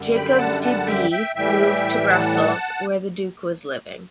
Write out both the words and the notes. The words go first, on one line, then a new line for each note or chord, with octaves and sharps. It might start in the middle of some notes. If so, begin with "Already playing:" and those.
Jacob de Bie moved to Brussels where the Duke was living.
Already playing: F#2 D3 G3
G5 B5
F#5 A5
F#5 A5
E5 G5
E5 G5
A2 E3 G3 E5 G5
F#5 A5